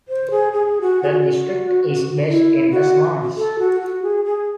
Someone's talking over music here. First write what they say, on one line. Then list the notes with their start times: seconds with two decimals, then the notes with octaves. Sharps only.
The district is based in Des Moines.
0.09 C5
0.31 G#4
0.53 G#4
0.81 F#4
1.03 G#4
1.10 F#4
2.27 E4
2.71 F#4
3.37 A4
3.59 F#4
3.81 F#4
4.03 G#4
4.25 G#4